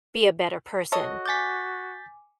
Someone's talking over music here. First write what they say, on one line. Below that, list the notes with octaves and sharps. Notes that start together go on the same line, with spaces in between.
be a better person.
F#4 A4 C#5 D#5
G#5 D6 G6 A6 B6